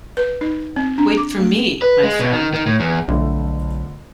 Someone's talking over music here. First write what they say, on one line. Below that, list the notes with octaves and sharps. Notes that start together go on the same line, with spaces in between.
Wait for me, my friend.
B4
D#4
C4
D4
D6
A3
B4
G#3
B2
D#3
D#3
A2
E2
B1 F2 D3 A3